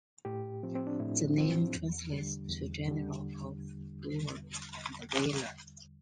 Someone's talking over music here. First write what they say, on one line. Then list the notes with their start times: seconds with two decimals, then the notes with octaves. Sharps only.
The name translates to "General of Bravery and Valor".
0.25 A2 G4
0.63 F3 C4
0.75 C4
0.87 D4
1.00 A2 E4
1.38 F3 C4
1.75 E2
2.13 D3 G3
2.49 E2
2.88 D3 G3